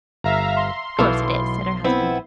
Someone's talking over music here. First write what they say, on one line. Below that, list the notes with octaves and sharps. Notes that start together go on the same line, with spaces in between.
"Course it is!" said her husband.
G1 E5 F5 A#5
C6
B1 B2 E3 A4 E5 F5
B3 C4 E4